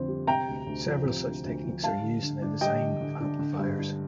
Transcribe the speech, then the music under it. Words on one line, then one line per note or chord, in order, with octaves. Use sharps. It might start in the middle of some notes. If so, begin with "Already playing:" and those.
Several such techniques are used in the design of amplifiers.
Already playing: F2 D3 C4
G3
C3 G5 A#5
D2
D2
F3
C3
D2
D2
F3
G3 F5 A5
D3
D3
D4
G3 D#5 G5
D3
D3
D4
D3
G2
D4